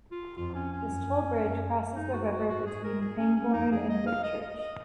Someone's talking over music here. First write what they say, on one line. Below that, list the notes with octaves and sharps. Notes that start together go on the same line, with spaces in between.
This toll bridge crosses the river between Pangbourne and Whitchurch.
F4
F2 F4
C#4
C#4
F#2
F#2
F#2 D#4
F#4
F#4
G#2 F#4
G#4
A#4
G#4
C#4
C#4
F2 D#4
G#4
D#5
F5
D#5
D#5
D#5